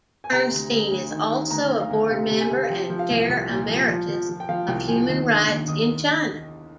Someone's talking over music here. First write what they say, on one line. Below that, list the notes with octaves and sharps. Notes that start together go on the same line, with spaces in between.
Bernstein is also a board member and Chair Emeritus of Human Rights in China.
G#5
C3 A#5
D2
D2
D2
D#3
D#3
D2 A#5
D2
F5
D2
C3 F5
C3
G#5
C3
F5
F3 G5
F3
F5
C2
C2
A#2
F3
F3
F3
F3
G5
F3 F5
C2 G5
F3 G#5
D#2
D3
D6
D#2
D#2 D#6